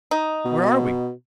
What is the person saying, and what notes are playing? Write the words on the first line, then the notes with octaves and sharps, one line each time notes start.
"Where are we?"
D#4
B2